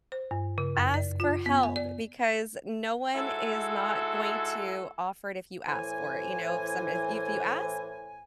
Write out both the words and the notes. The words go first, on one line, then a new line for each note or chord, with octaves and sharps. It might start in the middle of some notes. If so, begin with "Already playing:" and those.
Ask for help because no one is not going to offer it if you ask for it, you know, some if you ask,
C5
G2
C#3
F#2
D5
F4
B3
G#5
D5
G#3 D#4 E4 F#4 A4
A2 E3 C5 G#5